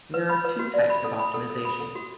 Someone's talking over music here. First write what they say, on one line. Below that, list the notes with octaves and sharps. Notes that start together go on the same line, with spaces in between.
There are two types of optimization.
B4
B5
B4
F#4
D5
B5
A4
B5
A4
A4
B5
A4
F#4